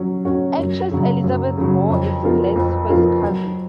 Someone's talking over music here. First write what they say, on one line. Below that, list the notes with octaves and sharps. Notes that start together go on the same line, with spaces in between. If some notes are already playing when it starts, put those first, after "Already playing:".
Actress Elizabeth Baur is Gless's first cousin.
Already playing: F#3 C#4
C#4 F#4 C#5
F#2
C#3 F#3
F#2
C#3 F#3
F2
F3 B3 F4 A#4
F2
F3 B3 F4 A#4
F#3